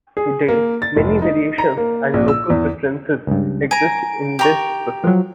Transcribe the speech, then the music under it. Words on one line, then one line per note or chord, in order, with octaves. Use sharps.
Today many variations and local preferences exist in this process.
G#4
A#3
A6
F1
D#4
A#5
A#3
A#1
E6
E2
C#2 G2
G#5 A#5 D7
G4 A#5 C#6
F3 F#3